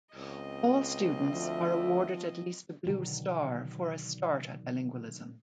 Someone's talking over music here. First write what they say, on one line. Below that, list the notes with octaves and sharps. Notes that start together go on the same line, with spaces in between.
All students are awarded at least a blue star for a start at bilingualism.
C#2 C4 D#5
D2 F3 E5
B2 D3 D#3 F#3